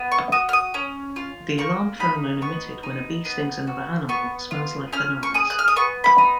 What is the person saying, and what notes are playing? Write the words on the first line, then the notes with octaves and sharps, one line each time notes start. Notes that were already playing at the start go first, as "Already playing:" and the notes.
The alarm pheromone emitted when a bee stings another animal smells like bananas.
Already playing: B3
C#6
F#4 D#6
F6
D#6
C#4
F4
A#3 C#6
D#4 B5
B3 C#6
D#4
B3
F#4
B3 C#6
F4
C#4 F6
C#6
G#4 D#6
F#6
F6
D#6
B3 C#6
B5
D#4